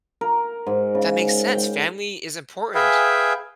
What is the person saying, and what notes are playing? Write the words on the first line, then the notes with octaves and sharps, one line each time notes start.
that makes sense. Family is important.
A#4
G#2
C#3
G5
G#4 B4 E5 F5 G5 G#5